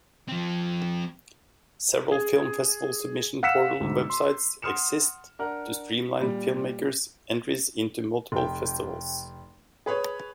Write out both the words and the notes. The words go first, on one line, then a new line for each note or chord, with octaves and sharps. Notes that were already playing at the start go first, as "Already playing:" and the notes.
Several film festival submission portal websites exist to streamline filmmakers' entries into multiple festivals.
F3 C4
G#4
F5 F#5 E6 B6 C#7 E7
D2 G#2
C6
F#5 C6 D#6 F6 C#7 E7
D4 A#4 F#5
A#2 G3
F1 G5
G#4 B4 C#5